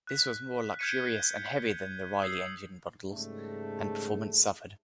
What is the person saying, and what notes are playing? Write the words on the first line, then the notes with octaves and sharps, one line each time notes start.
This was more luxurious and heavier than the Riley engined models and performance suffered.
F#6 B6
F6 G6 G#6 B6 C#7 D#7
D#6 E6 C7
G#2 C#3 G3 A3